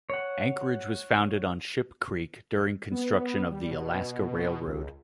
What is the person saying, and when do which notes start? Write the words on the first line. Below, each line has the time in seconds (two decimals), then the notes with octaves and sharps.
Anchorage was founded on Ship Creek during construction of the Alaska Railroad.
0.10 C#5 F#5
2.92 B3
3.51 G3
3.71 B2
4.67 C#2